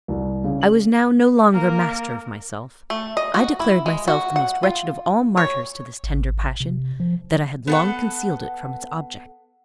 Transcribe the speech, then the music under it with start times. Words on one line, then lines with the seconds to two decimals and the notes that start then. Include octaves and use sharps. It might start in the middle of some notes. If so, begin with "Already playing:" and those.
I was now no longer master of myself; I declared myself the most wretched of all martyrs to this tender passion; that I had long concealed it from its object.
0.08 C2
0.44 C#3
0.61 F#7
1.51 A#3 A#4
2.90 A3
3.17 D#5
3.34 F#4
3.60 E4
3.86 G#3
4.08 F#4
4.36 F#5
4.63 F4
5.37 C#5
6.04 G#1
6.60 C3
7.00 F3
7.67 B3 A4 F#5